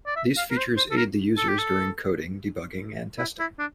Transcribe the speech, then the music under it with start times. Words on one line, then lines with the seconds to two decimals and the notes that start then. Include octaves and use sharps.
These features aid the users during coding, debugging and testing.
0.06 D5
0.16 E5
0.37 F5
0.51 A#4
0.57 C5
0.77 C5
0.91 A4
0.97 A#4
1.38 A4
1.48 G4
1.59 A4
3.18 E4
3.39 E4
3.59 D4